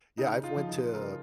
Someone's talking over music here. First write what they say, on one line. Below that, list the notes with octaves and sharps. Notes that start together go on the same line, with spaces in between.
Yeah, I've went to
C#3 D#4
F4
F3
D#4
C#3 A#4